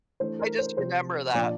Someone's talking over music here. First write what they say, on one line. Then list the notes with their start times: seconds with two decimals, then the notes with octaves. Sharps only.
I just remember that.
0.20 E3 A3 D4 C5
0.39 A#4
0.58 C5
0.77 C3 F3 C4 C5
1.34 A#2 F3 A#3 D4 D5